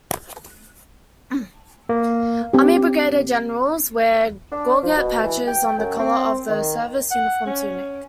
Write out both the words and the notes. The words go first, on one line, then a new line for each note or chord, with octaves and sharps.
Army brigadier-generals wear gorget patches on the collar of the service uniform tunic.
A#3
C4 G4
D4
F3
B2
E3
G5
F#2
C4
D#3
F#5
C#4